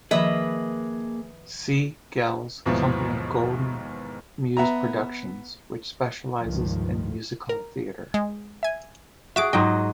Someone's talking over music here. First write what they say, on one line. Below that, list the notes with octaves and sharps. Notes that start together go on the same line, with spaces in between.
C. Gell's company Golden Muse Productions, which specialises in musical theatre.
D#3 F3 A#3 G#4 B4 D#5 E5
D#2 G#2 B2 E3 F3 B3
B3 E5 A#5
C#2 G2 D#3 F3
A#4
G#3
E5 G#5
F#4 G#4 E5 D6 D7
G#2 F#3 D#5 G5